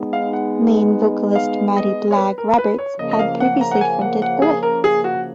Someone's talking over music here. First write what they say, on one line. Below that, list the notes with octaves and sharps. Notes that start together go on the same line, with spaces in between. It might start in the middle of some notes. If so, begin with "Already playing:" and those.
Main vocalist Matty 'Blagg' Roberts had previously fronted Oi!
Already playing: G#3 B3 D#4
F5
F#5
F5
D#5
C#5
B4
A#4
B4
C#5
C#3 F3 A#3 D#5
D#5
F5
F#5
A#5
F#5
G#5
F#5
F#5
G#4
A#4
G#4
F#4